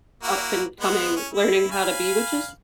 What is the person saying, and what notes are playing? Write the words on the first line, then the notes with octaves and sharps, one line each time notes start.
up-and-coming learning how to be witches,
A#3 E4 F#4
G#3 B3 F#5
C#4
E4
F5 G#5 B5